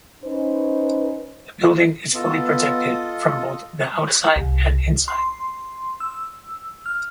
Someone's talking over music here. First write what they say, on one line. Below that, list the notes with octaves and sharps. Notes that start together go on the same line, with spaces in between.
The building is fully protected from both the outside and inside.
C#4 D#4 B4 C5
B3 F4 A4 D#5
C2
C6
E6
F6